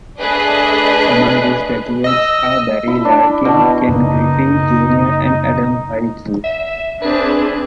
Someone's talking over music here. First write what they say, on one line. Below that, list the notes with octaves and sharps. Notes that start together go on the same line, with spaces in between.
Among these graduates are Barry Larkin, Ken Griffey, Junior and Adam Hyzdu.
A3 D4 G#4 B4 D#5 F#6
D#5 E6
E4
D4
B2
F#2 C#3 A#3 D#4
E5
C4 D4 G#4 B4